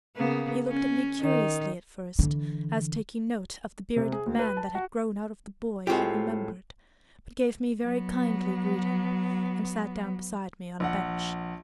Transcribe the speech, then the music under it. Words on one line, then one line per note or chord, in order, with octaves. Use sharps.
He looked at me curiously at first, as taking note of the bearded man that had grown out of the boy he remembered, but gave me very kindly greeting, and sat down beside me on a bench.
C#3 A#3 B3
C#4
D#3
D3 E3
C3
G#4
D2
B4
A5
F#4
A2 G#3 A#3 C4 F4 G4
F#3 B3
A#1 F#5